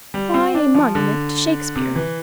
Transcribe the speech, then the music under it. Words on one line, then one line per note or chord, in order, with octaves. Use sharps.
Why a monument to Shakespeare?
G3
C4
D4
F3
D3
C3
E3